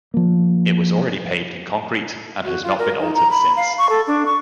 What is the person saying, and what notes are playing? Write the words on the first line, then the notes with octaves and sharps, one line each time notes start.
It was already paved in concrete, and has not been altered since.
F3 A#3
F#4
F4
A#4
D#4
A#5
B5
F5
C#6
A4
D4
C#6